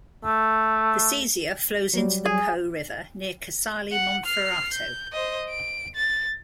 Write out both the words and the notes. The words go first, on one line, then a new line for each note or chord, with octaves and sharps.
The Sesia flows into the Po River near Casale Monferrato.
A3
F#3 G3
G#4
F#5
F6 C7
G6
C5 D#5
D7
A6